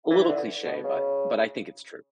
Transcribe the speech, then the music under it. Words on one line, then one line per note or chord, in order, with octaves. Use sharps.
a little cliche, but but I think it's true.
E3
D3
B2
C#3